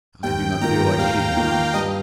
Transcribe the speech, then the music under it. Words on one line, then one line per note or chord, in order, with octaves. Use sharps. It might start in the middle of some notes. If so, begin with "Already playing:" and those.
I do not feel like eating now.
D#2 G5
D#3 A#3 F4 A#4 A#5
D#2 F5
D#3 A#3 F4 A#4
G2 D#5